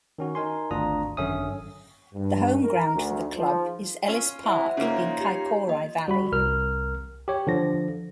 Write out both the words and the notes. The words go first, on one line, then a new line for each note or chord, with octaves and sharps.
The home ground for the club is Ellis Park in Kaikorai Valley.
D#3 C#4 F#4
D#4 A#4 G#5 C6
G#1 D2 D4 F4 A#5 D#6
G#1 F#2 D3 C#4 E5 D#6
G2
A#4
D2
F3
C#4 F4
E4 G4 C5 E5 F#5
C#3 A#3 D#4 F4 C#5
G4 C7
A#3 D#5
G3 F#4 B5
C2 A#4 F6
G4 C#5
D3 F3 A#6